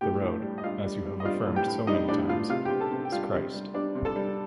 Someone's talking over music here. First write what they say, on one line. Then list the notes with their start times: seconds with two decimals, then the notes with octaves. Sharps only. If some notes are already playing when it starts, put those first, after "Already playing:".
The road, as you have affirmed so many times, is Christ.
0.01 A2 G4 G5
0.22 A2
0.42 G3
0.58 D#5
0.63 G3 F4 F5
0.84 G3
1.05 G3
1.20 D#5
1.25 G3 F4 F5
1.46 A2
1.56 G4 G5
1.66 A2
1.87 G3 D#4 D#5
2.08 A2 D4 D5
2.29 A2 F4 F5
2.49 C3 F4 F5
2.65 C3 G4 G5
2.80 A4 A5
2.91 C3
3.05 G5
3.12 G3 F4 F5
3.32 C3
3.53 G3
3.74 G3 D4 D5
3.95 C3
4.05 A4 A5
4.16 G3